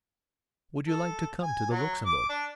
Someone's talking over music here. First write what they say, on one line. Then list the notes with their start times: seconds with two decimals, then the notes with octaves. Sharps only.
"Would you like to come to the Luxembourg?"
0.88 A4
1.43 G#5
1.70 F#3
2.06 D6
2.29 D4